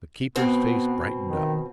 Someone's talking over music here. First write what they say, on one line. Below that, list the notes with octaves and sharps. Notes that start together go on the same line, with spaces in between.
The keeper's face brightened up.
B2 B3 C4
D#3